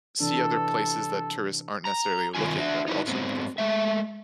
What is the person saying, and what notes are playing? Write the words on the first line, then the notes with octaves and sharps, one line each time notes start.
see other places that tourists aren't necessarily looking, that are also beautiful.
C3 E3 D4 A4
A#5
G2 C3 D#3 F4 G#5
D4 F#4 E5
D#4 E4 F#4 B4
G#2 F#3 B3 C4
G#3 A3 E5